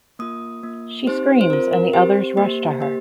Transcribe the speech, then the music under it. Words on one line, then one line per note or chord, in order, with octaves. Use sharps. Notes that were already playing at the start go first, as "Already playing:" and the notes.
She screams, and the others rush to her.
A#3 F4 D#6
A#3 F4
C4 D#4 G4 C5
C5
C4 F4 A#4
A#4
C4 G4 C5
A#3 G4
A#3 G4